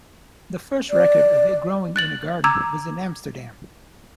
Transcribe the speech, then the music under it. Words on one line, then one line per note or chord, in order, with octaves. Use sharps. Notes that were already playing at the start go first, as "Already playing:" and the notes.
The first record of it growing in a garden was in Amsterdam.
D5
F#6 A6 F#7
A#5 D6 E6 G#6